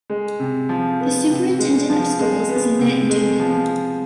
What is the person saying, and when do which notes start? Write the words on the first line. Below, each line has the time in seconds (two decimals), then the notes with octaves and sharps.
The Superintendent of Schools is Annette Deuman.
0.10 G#3
0.40 C3
0.69 F3
1.00 B3
1.30 C3
1.59 G#3
1.90 F3
2.19 G#3
2.49 B3
2.79 C3
3.09 G#3
3.40 F3